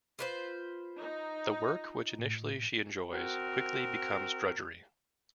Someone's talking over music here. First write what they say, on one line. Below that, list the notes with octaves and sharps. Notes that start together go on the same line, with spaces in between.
The work, which initially she enjoys, quickly becomes drudgery.
F4 B4 C5
D#4
A2
C4 F#4 A#4